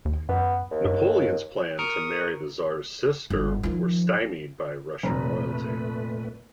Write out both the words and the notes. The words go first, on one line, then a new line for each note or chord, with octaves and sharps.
Napoleon's plans to marry the tsar's sister were stymied by Russian royalty.
D#2
F#2 B3
D#2
G2
A#4 C#6 D#6
G1
D#3 F3
F1 A#2 A3 B4 A#5